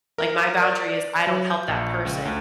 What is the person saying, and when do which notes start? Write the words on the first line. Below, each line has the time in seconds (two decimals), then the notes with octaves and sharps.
Like, my boundary is I don't help that person,
0.18 A#4
0.62 D5
1.27 F#3
1.50 G6
1.68 A#1
2.05 C#2
2.25 D2